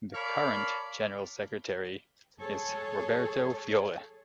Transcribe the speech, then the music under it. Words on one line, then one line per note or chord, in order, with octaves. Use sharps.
The current General Secretary is Roberto Fiore.
A#4 C#5 D5 F5 A5 B5
G#4 A4 C#5